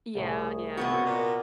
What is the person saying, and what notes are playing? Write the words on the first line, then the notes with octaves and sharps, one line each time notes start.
Yeah, yeah.
C2 A2 G#4
C3 A#3 B3 F#4
C4 C#4
A#2 B3 D#5 A#5